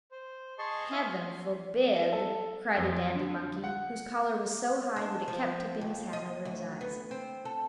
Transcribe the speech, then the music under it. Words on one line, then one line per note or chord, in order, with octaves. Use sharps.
"Heaven forbid!" cried a dandy-monkey, whose collar was so high that it kept tipping his hat over his eyes.
C5
G#4 D#5 A5 C6 C#6
E4 E5 F5
C6
A4
F2
D3
F#5
D4
F3
D#2
D#5
D2
B3
C4
A4